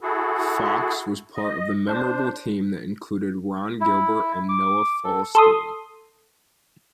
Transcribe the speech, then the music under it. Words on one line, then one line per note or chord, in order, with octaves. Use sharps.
Fox was part of the memorable team that included Ron Gilbert and Noah Falstein.
E4 F#4 G#4 A4
D#5
D4 C5
E4
D6
A4
A4 C6 D#6